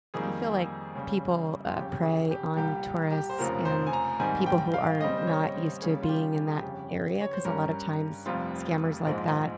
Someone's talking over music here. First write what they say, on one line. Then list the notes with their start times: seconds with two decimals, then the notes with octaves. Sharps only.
I feel like people, uh, prey on tourists and people who are not used to being in that area, 'cause a lotta times scammers like that
0.14 F2 D#3 G3 A#3 G#4
0.95 D#2 C#3 G3
1.67 F4
1.75 G1 F2 C#3 G4
2.03 G#4
2.31 G4
2.57 C2 A#2 G3 G4
3.12 G4
3.29 C5
3.38 F1 F2 C#3 F3 C4 A#4
3.65 C5
3.87 G#5
3.93 A#5
4.20 G#2 D#3 G3 C4 G#5
4.46 G5
4.74 F5
5.01 D#2 C#3 G3 C4 D#5
5.17 C5
5.27 C#5
5.55 C5
5.82 D#2 C#3 G3 A#3 C#4 G#4
6.02 F4
6.09 G4
6.35 G4
6.47 G#4
6.56 G4
6.63 G1 F2 C#3
7.21 C#5
7.33 C5
7.45 G2 G3 C#4 A#4
8.26 F1 F2 C3 G3 F4
9.06 A#1 G#2 F3 G#3